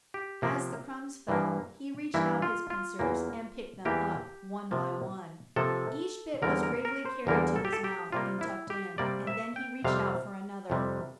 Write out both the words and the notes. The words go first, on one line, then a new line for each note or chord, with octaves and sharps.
As the crumbs fell, he reached out his pincers and picked them up, one by one. Each bit was gravely carried to his mouth, and tucked in, and then he reached out for another.
G4
C3 F3 A#3
G2 E3 A#3
G2 E3 A#3 E4
F4
F4
E2 E3 A#3
E2 E3 A#3 G4
C3 F3 A#3
C3 F3 A#3 A4
E2 D3 G3 A#3 A#4
A#4
A#4
C5
E2 D3 G3 A#3 A#4
A4
G4
A4
G4
C3 G3 A#3 F4
E4
G4
C3 G3 A#3 D5
E5
G5
F2 C3 G3 F5
F2 C3 G3